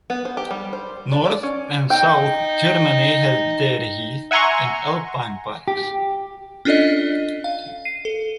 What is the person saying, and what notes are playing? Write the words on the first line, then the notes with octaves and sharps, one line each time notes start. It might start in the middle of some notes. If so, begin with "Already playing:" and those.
North and South Germany have their heath and alpine parks.
B3
C5
G4
G3
C5
D4
D5
C#4
D#4 G5
E5 F#5 G#5 A#5 C6 C#6
G4
C#4 D4 F4 A4 D5 D#5
F5
C7 D#7
A4